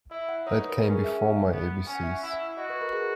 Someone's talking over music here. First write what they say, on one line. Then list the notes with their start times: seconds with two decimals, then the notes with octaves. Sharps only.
That came before my A B C's.
0.11 E4 E5
0.29 F#5
0.46 D#4 C#5
0.58 B4
0.70 A#4
0.81 C#4 G#4
0.93 G#4
1.04 E5
1.52 B3
1.87 C#4 G#5
1.95 F#5
2.03 E5
2.11 F#5
2.23 E4
2.57 F#4 D#5
2.70 B4
2.81 A#4
2.93 G#4